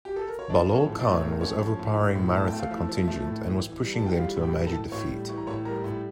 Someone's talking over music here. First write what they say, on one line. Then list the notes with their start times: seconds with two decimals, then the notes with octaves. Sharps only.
Bahlol Khan was overpowering Maratha contingent and was pushing them to a major defeat.
0.05 G4
0.16 A4
0.28 A#4
0.39 C#5
0.50 F3 D4 D5
0.69 F3 A#4
0.75 C#4 C#5
0.87 A2
0.99 D5
1.05 A3
1.13 C#5
1.24 A2 A#4
1.41 F3 C#4 C#5
1.60 F3
1.79 A2
1.97 A2
2.15 A2
2.34 A3 A5
2.47 G5
2.53 A3
2.60 F5
2.70 F3 E4 E5
2.89 F3
3.08 A3
3.26 A2
3.44 E3
3.63 E3
3.82 G3
3.94 A5
4.00 E3
4.06 G5
4.18 G3 F4 F5
4.37 A2
4.43 G4 G5
4.55 E3
4.67 A4 A5
4.73 E3
4.92 A2 C#5 C#6
5.10 G3
5.29 E3 C#6
5.37 A#5
5.47 A2 C#5 C#6
5.65 G3 A#4 A#5
5.84 A2